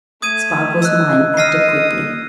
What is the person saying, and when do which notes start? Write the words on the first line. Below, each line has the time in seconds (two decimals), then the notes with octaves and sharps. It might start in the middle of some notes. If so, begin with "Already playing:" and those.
Spargo's mind acted quickly.
0.22 A3 D#6 G#6 D#7
0.82 D#5 E6 F#6
1.37 D#6 F6 A#6 C7
1.92 A#3